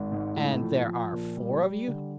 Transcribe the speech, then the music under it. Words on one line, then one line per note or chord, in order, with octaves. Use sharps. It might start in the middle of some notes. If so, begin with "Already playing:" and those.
"And there are four of you?"
Already playing: G#1
G#2
A2
F3
F3
A#2
G3
G3
D3